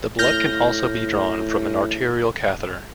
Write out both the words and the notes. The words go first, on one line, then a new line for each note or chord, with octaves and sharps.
The blood can also be drawn from an arterial catheter.
A2 F6 G6 A#6